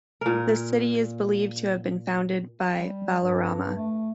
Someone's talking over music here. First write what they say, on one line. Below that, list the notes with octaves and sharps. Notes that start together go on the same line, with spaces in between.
The city is believed to have been founded by Balarama.
A#2 A#4
G3
G2
A3